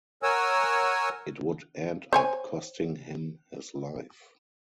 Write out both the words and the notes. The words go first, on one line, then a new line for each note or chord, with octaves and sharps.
It would end up costing him his life.
A#4 C#5 F#5 G#5 E6
C5 C#5 G#5